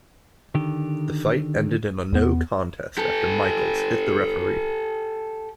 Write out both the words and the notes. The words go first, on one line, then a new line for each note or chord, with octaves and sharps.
The fight ended in a no contest after Michaels hit the referee.
D3 D#3 G4
E2 B3
G4 A4